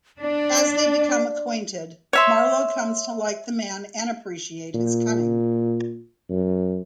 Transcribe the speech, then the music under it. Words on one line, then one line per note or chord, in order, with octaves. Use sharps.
As they become acquainted, Marlowe comes to like the man and appreciate his cunning.
D4 D5
C#5 E5 C6
A#2
F#2